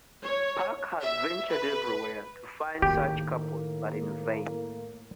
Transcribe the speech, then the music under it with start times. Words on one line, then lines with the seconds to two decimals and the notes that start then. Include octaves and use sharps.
Puck has ventured everywhere to find such couples, but in vain.
0.24 C#5
1.01 E5
1.50 B4
2.82 A2 D#3 A#3 G4